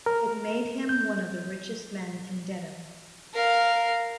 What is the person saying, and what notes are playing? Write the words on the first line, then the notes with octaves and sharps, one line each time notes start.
It made him one of the richest men in Dedham.
A#4
G6
A#4 F5